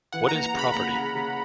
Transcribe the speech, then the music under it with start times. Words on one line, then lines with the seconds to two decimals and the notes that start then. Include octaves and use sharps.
What Is Property?
0.12 E3 F#5
0.29 A#3 A#5
0.43 A#5
0.53 C#3
0.59 B5
0.74 A#3 A#5
0.94 C#3
1.15 C#3